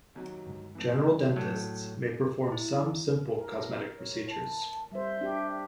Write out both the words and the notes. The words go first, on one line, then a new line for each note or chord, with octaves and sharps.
General dentists may perform some simple cosmetic procedures.
D#2 F#3
G2 D3 G#3
A2 E3
D2 A2
A2 F#3
E4
A#4
C#5
A5
G3 C5 E5
D4 G4